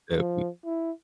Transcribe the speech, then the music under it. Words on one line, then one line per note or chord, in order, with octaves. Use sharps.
That'd be
F3
E4